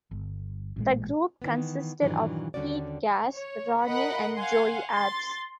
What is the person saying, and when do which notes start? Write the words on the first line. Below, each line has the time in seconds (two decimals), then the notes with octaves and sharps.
The group consisted of Pete Gas, Rodney, and Joey Abs.
0.11 G1
0.76 A1 A#2 G#3
1.42 D#3 E3 B3
2.01 G2 A#2 D#3 E3 F#3 D4
2.54 D#2 D3 G3 C#4 F#4 D5
3.33 C#5
3.84 A#4 D#5 F#5 B5
4.36 F5 F#5 G#5 C6
4.91 C6 A6